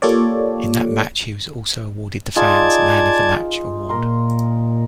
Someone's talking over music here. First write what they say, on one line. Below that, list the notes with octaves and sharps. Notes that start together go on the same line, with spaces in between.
In that match, he was also awarded the fans' Man of the Match award.
A#3 F4 G4 A4 C#5 D5
D#4 F4 G#4 D5 A5 G#6
A#2 A#4 C6